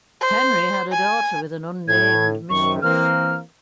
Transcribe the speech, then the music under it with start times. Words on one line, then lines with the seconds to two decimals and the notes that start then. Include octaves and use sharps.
Henry had a daughter with an unnamed mistress.
0.21 C5
0.92 G#5
1.88 A2 G#6
2.50 F#2 C3 D#3 C#6
2.82 E3 A#3 C4 F6